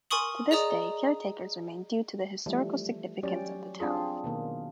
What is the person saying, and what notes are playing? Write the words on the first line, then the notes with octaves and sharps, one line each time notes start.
To this day, caretakers remain due to the historical significance of the town.
A#4 G#5 C6 C#6 D#6 F#7
G#4 D5 D#5 A#5 D#6
E3 F3 G3 A3
F#3 C#4 G4 D5
C4 D4 F4 G#4
B2 D#3 A#3